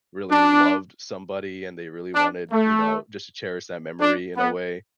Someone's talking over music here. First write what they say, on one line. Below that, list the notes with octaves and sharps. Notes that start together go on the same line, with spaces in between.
really loved somebody and they really wanted, you know, just to cherish that memory in a way,
D4
D4
A3
D4
B3